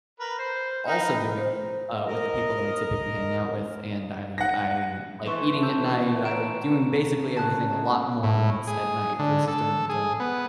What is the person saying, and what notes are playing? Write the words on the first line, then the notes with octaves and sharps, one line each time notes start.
also doing, uh, with the people that I typically hang out with, and I I like eating at night, I like doing basically everything a lot more when it's at night versus during the day.
A#4 B4
C5
D#4 A#4 B4
C5
A#4 D#5
F#5 A#6
E3 A3 B4 C6 C#6 E7
A5 E6 G6
A#5 D7 E7
C#3 A5 F#6
A2
G#4
D3
A4
G#4
B3